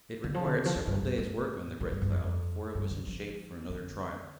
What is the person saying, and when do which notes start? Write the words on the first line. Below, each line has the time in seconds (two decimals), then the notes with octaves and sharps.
It required several days' work on the Red Cloud before it was in shape for another trial.
0.24 D3
0.34 F3
0.45 D3
0.55 C3
0.65 F3
0.75 F2
0.87 G2
1.02 G2
1.18 A2
1.80 A2
1.91 G2
2.02 G2
2.12 F2
2.75 G2
2.91 D3
3.07 F3
3.70 D3